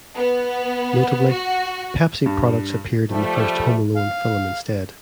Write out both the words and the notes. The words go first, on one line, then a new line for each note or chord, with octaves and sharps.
Notably, Pepsi products appeared in the first "Home Alone" film instead.
B3
F#4
G2
F3 G3 A3
F5